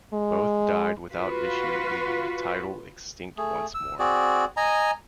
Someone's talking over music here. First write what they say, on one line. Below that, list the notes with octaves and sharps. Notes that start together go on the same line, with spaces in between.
Both died without issue, leaving the title extinct once more.
G#3
F4 F#4 B4
A3 G#4
E6
C4 F#4 G#4 D5
D#5 G#5 A#5